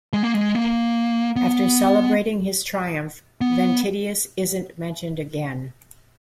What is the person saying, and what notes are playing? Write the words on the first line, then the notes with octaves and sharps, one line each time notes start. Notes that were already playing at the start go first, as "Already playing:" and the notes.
After celebrating his triumph, Ventidius isn't mentioned again.
G#3
A#3
G#3
A#3
B3
B3